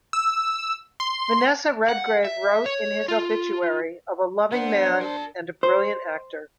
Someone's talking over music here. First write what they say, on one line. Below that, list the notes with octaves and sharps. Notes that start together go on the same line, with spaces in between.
Vanessa Redgrave wrote in his obituary of a "loving man" and a "brilliant actor".
E6
C6
F#5
E5
C#5
F4
B3 D4 C5 F#5
A#4 A5
C5